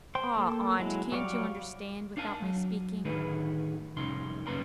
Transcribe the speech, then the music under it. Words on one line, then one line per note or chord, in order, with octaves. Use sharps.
"Ah, aunt; can't you understand, without my speaking?"
C5 G5 C6
A#3 A4
F#3 G#3 E4
F#3 G3 C#5 D5 F5
D4 F5 G#5 A5
F#3
D2 A2 D3 D#3 G#4 B4
C2 F2 C#3 D#4 C6
F#2 C#3 A#3 B4 A#5 C6